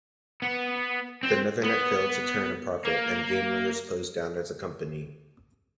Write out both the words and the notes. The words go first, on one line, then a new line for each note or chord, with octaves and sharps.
The Nethernet failed to turn a profit, and GameLayers closed down as a company.
B3
C4
B3
A#3